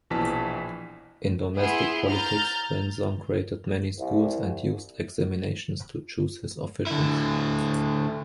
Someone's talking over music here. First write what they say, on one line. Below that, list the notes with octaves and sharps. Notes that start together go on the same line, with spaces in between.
In domestic politics, Renzong created many schools and used examinations to choose his officials.
A#1 B2 E3 A5 B6
B3 E4 G#4 C6
A#5 F6 G6 A6
C2
D3 E4